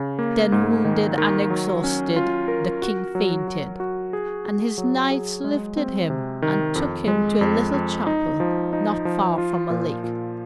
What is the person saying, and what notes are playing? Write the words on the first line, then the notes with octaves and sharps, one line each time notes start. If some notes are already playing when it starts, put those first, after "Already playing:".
Then, wounded and exhausted, the King fainted, and his knights lifted him and took him to a little chapel not far from a lake.
Already playing: C#3
A#3
G#2
D#3
D#3
F#3
C#4
F4
A#4
F#4
F#3
F#4
F#4
G#4
G#4
F#3
G#4
G#3
C4
C3
D#3
F2
G#3
F2
F2
D#4
F3
D#4
F3
F4
A#2
A#2